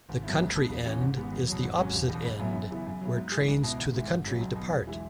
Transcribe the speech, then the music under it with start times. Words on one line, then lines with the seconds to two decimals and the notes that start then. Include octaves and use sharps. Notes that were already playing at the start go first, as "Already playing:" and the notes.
The "country end" is the opposite end, where trains to the country depart.
0.09 G#1
0.24 F#2 F#3 B3 E4
0.40 C#2
0.55 B2 B3
0.70 E1
0.86 E2 E3 C#4
1.01 G#1
1.17 G#2 G#3 B3
1.32 E2
1.47 B2 F#3
1.63 G#1
1.78 G#2 F#3 C#4
1.94 E1
2.09 E2 B2
2.25 F#1
2.40 F#2 F#3 B3 E4
2.55 F#2
2.71 C#3 E3 B3 E4
2.87 F#2
3.01 F#3 B3 E4
3.17 G#2
3.32 G#3
3.37 E3
3.48 C#2
3.64 B2 B3 E4
3.78 G#1
3.95 G#2 G#3 E4
4.09 G#1
4.25 F#2 C#3 F#3
4.40 B1
4.56 B2 B3
4.71 E1
4.87 E3 G#3 E4